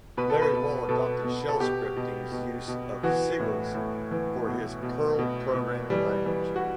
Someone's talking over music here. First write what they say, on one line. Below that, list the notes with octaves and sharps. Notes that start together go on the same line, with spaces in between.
Larry Wall adopted shell scripting's use of sigils for his Perl programming language.
B2 B4
A4
B4
B2
B2 A4
B2
A4
B2 G4
B2
B2
B2
E3 F#4
A2
A2
E3
B2
B2
B2
B2
E3 G3
E3
F#4